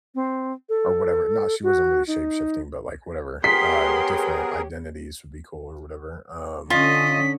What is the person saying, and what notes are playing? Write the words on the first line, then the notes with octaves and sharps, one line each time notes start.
or whatever not she wasn't really shape shifting, but like whatever, uh, different identities would be cool or whatever, um.
C4
A4
F#4
D#4
B3 G4 G#4 A#4 C#5 C6 B6
D3 C#4 F4 D#5 B6